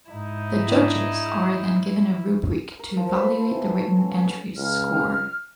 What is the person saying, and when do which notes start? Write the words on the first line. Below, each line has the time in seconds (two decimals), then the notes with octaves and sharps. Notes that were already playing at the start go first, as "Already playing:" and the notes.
The judges are then given a rubric to evaluate the written entry's score.
0.10 G#2 D#4 E4
0.68 A2 D4
2.79 A#4
2.97 F3
3.12 B4
3.25 C5
3.37 A4
3.51 E3
3.65 F#3
3.80 C#5
3.97 C#4
4.11 C#4
4.24 B3
4.57 C#2 F6